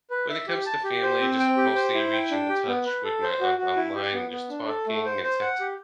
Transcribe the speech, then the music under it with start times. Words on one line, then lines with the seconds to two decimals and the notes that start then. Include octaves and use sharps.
When it comes to family, just mostly reaching to touch with my aunt online, and just talking and text
0.10 B4
0.30 E5
0.48 G4
0.66 A5
0.84 G4
1.03 C5
1.21 C4
1.40 G5
1.57 G4
1.75 C5
1.94 E4
2.13 G5
2.31 D4
2.49 G4
2.67 B3
2.86 B4
3.04 A4
3.22 C5
3.41 F#4
3.58 F#4
3.76 E4
3.95 G4
4.13 B3
4.31 B3
4.49 D4
4.68 A4
4.87 A3
5.05 C5
5.23 C5
5.42 F#5
5.60 G4